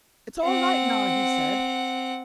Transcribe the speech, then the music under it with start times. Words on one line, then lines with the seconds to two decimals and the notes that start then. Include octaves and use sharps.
"It's all right now," he said.
0.44 C4 F#5